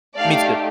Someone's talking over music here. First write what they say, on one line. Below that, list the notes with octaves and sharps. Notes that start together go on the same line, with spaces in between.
Me too.
A3 D#4 G4 D5 F5